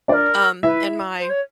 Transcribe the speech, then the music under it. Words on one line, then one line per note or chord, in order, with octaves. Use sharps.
um, and my
D4 A#4 C5 D5
E4 B4 E5
C5
C#5